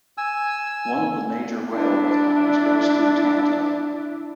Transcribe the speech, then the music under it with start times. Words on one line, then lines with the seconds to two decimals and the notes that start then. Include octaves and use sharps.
One of the major railway lines goes through Tanta.
0.18 G#5 E6
1.72 D4 E4